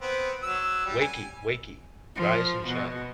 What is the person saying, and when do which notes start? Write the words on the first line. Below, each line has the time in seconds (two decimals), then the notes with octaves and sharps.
Wakey, wakey! Rise and shine!
0.01 B3 C4
0.43 F#3 E6
0.86 G3
1.01 G#5
2.16 F3
2.67 B2